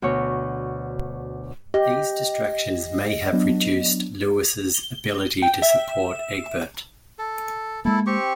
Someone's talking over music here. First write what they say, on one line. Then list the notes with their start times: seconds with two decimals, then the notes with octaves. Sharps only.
These distractions may have reduced Louis's ability to support Egbert.
0.02 D2 B2 C#5
1.74 G4 D#5
3.33 F#3 B3 D4
4.74 G7
5.42 G5
5.62 E5
7.19 A4
7.85 G#3 A#3 E4 A4
8.07 C4 G4 C#6